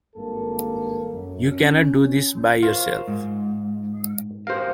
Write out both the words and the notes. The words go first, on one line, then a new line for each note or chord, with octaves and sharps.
You cannot do this by yourself.
G#1 G2 A#3 A4
F#2
C#4
F4 A#4 C5 C#5
G#2
F#4 G4 A#4 C5 F5